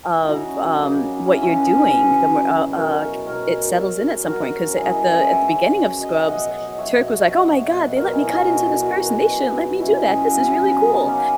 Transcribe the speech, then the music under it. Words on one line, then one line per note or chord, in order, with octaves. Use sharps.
of, um, what you're doing, the more uh uh, k it settles in at some point, 'cause at the at the beginning of Scrubs, Turk was like, "Oh my god, they let me cut into this person, they shouldn't let me do that. This is really cool,"
E4
C#3 D#4 F#4
F#3
F#3
C#3 A#3
F#3
F#3
C#3 C#4 E4
F#3 C#4 E4
F#3 G#4 B4
C#3
F#3
C#3
F#3
F#3
B2
F#3 A#4 C#5
B2
F#3
B2 A#4 C#5
B2
F#3
F#3
F#3
F#3
F#3 F#4 A#4
F#3
C#3
F#3 E4 G#4
C#3 B4 D#5
F#3 C#5 E5
F#3 C#5 E5
C#3
C#3
F#3
F#3
D#5
F#3 E5
B2 D#5 F#5
F#3
F#3
F#3 C#5 E5
B2
F#3
B2 D#5 F#5
B2
C#5 E5
B2
B2 B4 D#5
F#3 A#4 C#5
B2 E4 G#4
F#3 F#4 A#4
B2
F#3
B2 F#4 A#4
B2
G#4 B4
F#3
B2
B2
F#3
B2 C#4 E4
B2
G#4
F#3 F#4
C#3 C#4 E4
F#3 E4 G#4
C#3 B3
C#3 B3 D#4
C#3
A#3 C#4
C#3